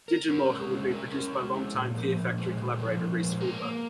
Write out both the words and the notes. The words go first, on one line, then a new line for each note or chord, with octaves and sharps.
"Digimortal" would be produced by longtime Fear Factory collaborator Rhys Fulber.
A#4
C#4
G#3
E4
A#4
C#4
G#3
E4
A#2
F3
A#2
G#3
A#2
F3
A#2
G#3
A#4
A#3